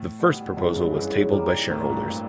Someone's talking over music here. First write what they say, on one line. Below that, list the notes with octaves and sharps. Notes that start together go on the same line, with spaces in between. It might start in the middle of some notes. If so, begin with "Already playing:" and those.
The first proposal was tabled by shareholders.
Already playing: A2
B2 G3 B3
F#2 C#3 E3 G#3 B3
G2
G2 C#3 E3 G#3 B3
E3 G3 A#3 D#4
A2 E3 G3 A#3 D#4
G2
A#2 G3 C4